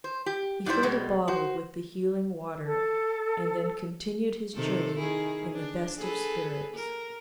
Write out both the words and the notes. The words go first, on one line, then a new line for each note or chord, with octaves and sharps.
He filled a bottle with the healing water, and then continued his journey in the best of spirits.
C5
G4
G#2 G3 E4 C5
B2 G3 G#3
F#4 C5
A4 A5
C3 D#3 A4
D#3 E4 G#4
D4
G#4 A4 B4
A#4